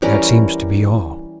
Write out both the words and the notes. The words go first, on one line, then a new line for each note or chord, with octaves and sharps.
That seems to be all.
E3 G3 C#4 A#4